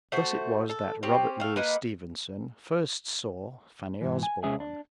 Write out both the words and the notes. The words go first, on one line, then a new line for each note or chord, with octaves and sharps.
Thus it was that Robert Louis Stevenson first saw Fanny Osbourne.
A3 F#4 C5
A4
C4 C#4 G4
A3 F5
A#3 B4 D#5 F#5
G#2 E3
G#5
C3 G#3 C#4 G#4 E5 G#5
D4